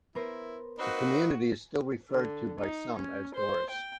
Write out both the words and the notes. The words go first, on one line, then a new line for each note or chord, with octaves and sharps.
The community is still referred to by some as Dorris.
B3 E4 A#4 C5
A#3 C4 D#4 F#4 B4
D3
D#4
C#4
C5
G5